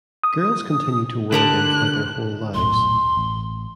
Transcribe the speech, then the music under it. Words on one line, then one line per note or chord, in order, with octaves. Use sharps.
Girls continued to wear them for their whole lives.
D#6
D3 G4 A#4 A5 F#6
D#1 B1 A2 C6
A1